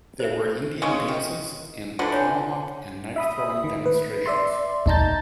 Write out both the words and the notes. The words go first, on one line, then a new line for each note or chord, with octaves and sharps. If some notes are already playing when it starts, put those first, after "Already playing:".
There were Indian dances and tomahawk and knife-throwing demonstrations.
C5 E5
C#3 G#3 C#4
D#3
D3 E3 F4 C5
C#5 G#5
E5 B5 D#6
D#3
B4
D5 E5 C6
B1 D#4 A5 A#5 G6 A6